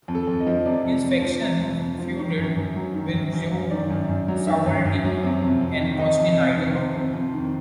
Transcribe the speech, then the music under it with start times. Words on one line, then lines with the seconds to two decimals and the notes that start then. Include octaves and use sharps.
His faction feuded with Joe Savoldi and Austin Idol.
0.08 F2
0.15 A4
0.27 F2
0.40 D#5
0.47 F3
0.66 C3 D5
0.85 F2
1.04 F2
1.22 F3
1.42 C3
1.61 F2
1.80 F2
1.99 F3
2.18 D#3
2.38 F#2
2.56 F#2
2.76 F#3
2.94 D#3
3.13 F#2
3.33 F#2
3.51 F#3
3.71 D#3 D5
3.90 F#2
4.09 F#2
4.28 F#3
4.47 D#3 E5
4.66 F#2
4.85 F#2
5.05 F#3
5.23 C3
5.42 F2
5.61 F2
5.80 D#3
5.99 C3 D#5
6.19 F2
6.38 F2
6.57 D#3
6.75 C3 C5
6.95 F2
7.14 F2
7.34 D#3